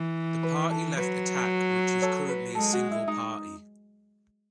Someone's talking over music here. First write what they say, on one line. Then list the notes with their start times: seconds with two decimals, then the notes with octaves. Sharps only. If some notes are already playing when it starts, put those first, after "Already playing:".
The party left Attack which is currently a single party.
Already playing: E3
0.43 B4
0.70 A4
0.97 F#3 B4
2.02 A4 C#5
2.29 B4
2.55 G#3 A4
2.73 F#4
2.91 E4
3.08 D#4